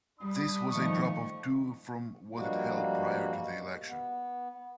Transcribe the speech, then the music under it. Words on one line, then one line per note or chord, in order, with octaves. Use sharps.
This was a drop of two from what it held prior to the election.
G3 D4 B5 D#6
D#3 F3 A3 C#6
G2 F3 G3 G#3 A#3 F#4
B3